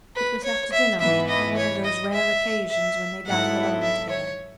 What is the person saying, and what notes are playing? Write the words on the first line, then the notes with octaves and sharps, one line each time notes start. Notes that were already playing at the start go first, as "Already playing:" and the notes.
It was after dinner on one of those rare occasions when they dined alone together.
B4
C#5
E5
G#2 E3 B3 E4 B4 E5
D#5
C#5
D#5
E5
E5
G#2 F#3 B3 E4 A4 F#5
E5
C#5